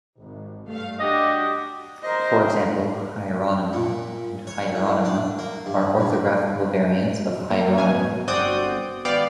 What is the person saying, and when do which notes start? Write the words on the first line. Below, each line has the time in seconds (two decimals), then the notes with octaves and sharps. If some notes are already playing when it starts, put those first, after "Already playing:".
For example, "Hieronima" and "Hyeronima" are orthographical variants of "Hieronyma".
0.20 G#1
0.66 G2 A3 F5
1.00 D4 F#4 G4 D#5
2.03 A#4 C5 D#5
3.73 A#2
4.47 C#5
4.75 A2
5.05 D4
5.39 A#3
5.66 G2
6.00 G2
7.50 A#3
7.78 B2 G#5
8.28 G1 C4 F#4 D5 D#6 G6
9.05 G#1 B3 D5 F5 G5